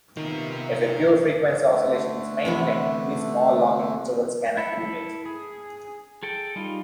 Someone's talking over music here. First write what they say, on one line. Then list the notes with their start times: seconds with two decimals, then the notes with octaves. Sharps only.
If a pure frequency oscillation is maintained, these small lock-in intervals can accumulate.
0.17 C3 D#3 B3 F4 A#4 E5
1.67 D3 A3
2.45 C3 E3 B3
4.57 E4 A4
5.26 G#4
6.23 G#4 A4 G5
6.56 G3 D#4 F4